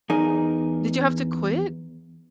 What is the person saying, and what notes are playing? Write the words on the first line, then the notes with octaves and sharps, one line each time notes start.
Did you have to quit?
E2 D#4 G#4 A#4